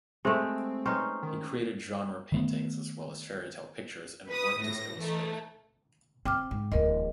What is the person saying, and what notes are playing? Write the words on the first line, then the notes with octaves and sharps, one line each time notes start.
He created genre paintings as well as fairy tale pictures and worked as illustrator.
G#3 A3 C4 G4 C5 E5
C#4 D#4 B4 C5 G5 C#6
D#3
D#3 A3 B3
B4 D#6
A2 A#6
E3 A3 D#4
C4 G5 D6 F6
G#2
D1 E2 A#4 D#5